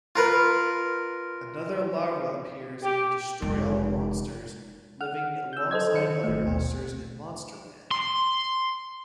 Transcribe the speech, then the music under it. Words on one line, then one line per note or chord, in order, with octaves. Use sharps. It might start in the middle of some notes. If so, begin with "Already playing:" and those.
Another larva appears in "Destroy All Monsters", living alongside other monsters in Monsterland.
F4 A#4 B4
G4
F1 G#3
F#5 F6
E6 G6
A4 C5 D#5 G#6
D#3 C#7
A1 A3
D#2 B2
C6